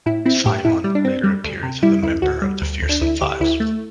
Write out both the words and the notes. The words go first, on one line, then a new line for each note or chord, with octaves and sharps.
Psimon later appears as a member of the Fearsome Five.
A2 E4
C4 E4
A2 G4
A2 E4
G3
D4
C4
G3
D2
C3
G3 E4
D2 E4
D2 F#4
G3
D2
D2
D4
D2 E4
D2 G4
D2 E4
A3